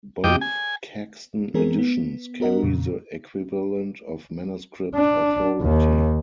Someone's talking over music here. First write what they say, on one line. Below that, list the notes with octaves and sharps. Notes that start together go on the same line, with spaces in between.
Both Caxton editions carry the equivalent of manuscript authority.
F2 D#5 G5 D6
G#5
E3 G#3 B3 C4 G#4 A#4
B3
B3 F#4 A#4 D#5 F#5
F2 A#2 C#3
D4
D#2